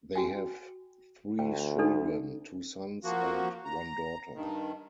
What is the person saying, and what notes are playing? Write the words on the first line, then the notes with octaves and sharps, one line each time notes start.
They have three children; two sons and one daughter.
F#4 G5 G#5
D2 G5
D4 D#4 A4
F3 A#3 F#4
A#5
G2 D#3